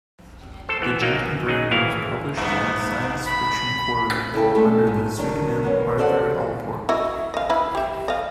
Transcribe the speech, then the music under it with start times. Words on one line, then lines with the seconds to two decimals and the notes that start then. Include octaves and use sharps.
"The Gentle Brain" was published in "Science Fiction Quarterly" under the pseudonym Arthur Allport.
0.69 A4 C5
0.82 E3 B3
1.02 F#3 A#3 D#4
1.13 F#2
1.46 F#3 D#4 G#4
1.71 G#1 C#3 E3 E4 F5
2.37 G2 B3
3.27 B5
4.34 C#3 E4 A4 G5
4.55 G#3 A3 D4 A4
4.87 G#2
5.17 D#3 F#3 D4
5.63 A#3 B3 C#4
5.98 F#4 A4 C5 D5 E5 F#5
6.89 E4 F#4 D#5
7.34 D#5 F5
7.49 E4 B4 F#5
7.75 G4 E5
8.08 D#5 F5